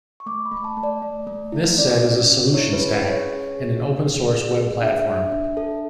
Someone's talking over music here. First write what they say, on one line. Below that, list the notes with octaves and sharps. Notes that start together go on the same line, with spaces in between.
This set is a solution stack, and an open source web platform.
C#6
A3 D6
B5
A3
A5
A3
D5
A3
A3
E4
C#4 D5
C#4
C#4
E4 C#5
B4
G#4
B4
C#4
C#5
G#4
G#4
G#4
G#4
G#4
G#4
D4 E5
D4
D4
A4